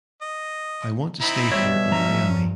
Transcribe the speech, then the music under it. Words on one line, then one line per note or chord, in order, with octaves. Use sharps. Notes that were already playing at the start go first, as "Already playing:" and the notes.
I want to stay here in Miami.
D#5
C4 D#4 E4 B5
B2 G3 C#5 E5
F3 C#4 A#5
G2